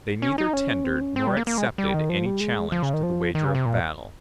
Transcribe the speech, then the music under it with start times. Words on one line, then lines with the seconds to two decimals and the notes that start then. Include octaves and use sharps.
They neither tendered nor accepted any challenge to the wager of battle.
0.22 C#4
0.38 D#4
0.53 C#4
0.84 C4
1.01 C#4
1.16 C4
1.27 G3
1.37 A#3
1.47 A#3
1.58 G#3
1.78 G3
1.94 D#3
2.09 F3
2.26 G3
2.40 G#3
2.72 F3
2.83 C#3
2.93 D#3
3.03 F3
3.35 D#3
3.45 C#3
3.55 C3
3.66 A#2